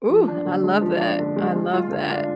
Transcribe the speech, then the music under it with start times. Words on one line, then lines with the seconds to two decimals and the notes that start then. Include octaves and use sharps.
Ooh, I love that, I love that.
0.09 F3
0.28 D4
0.45 D3
0.63 G#3
0.82 F3
1.00 D4
1.19 D3
1.36 G#3
1.55 G#3
1.73 F4
1.92 D3
2.10 D4